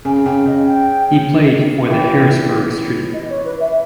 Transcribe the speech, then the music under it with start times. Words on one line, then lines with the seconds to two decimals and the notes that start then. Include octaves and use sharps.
He played for the Harrisburg–St.
0.05 C#3 G#5
0.25 C#3 G5
0.46 C#3 D#5
0.66 G5
1.90 E3 G5
3.13 D#5
3.29 C#5
3.45 B4
3.60 E5